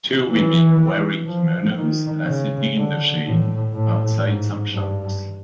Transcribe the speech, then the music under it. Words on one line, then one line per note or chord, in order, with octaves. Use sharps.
Two women wearing kimonos are sitting in the shade, outside some shops.
E3
F3
D#3
C#3
D3
A2
A2
G#2
G2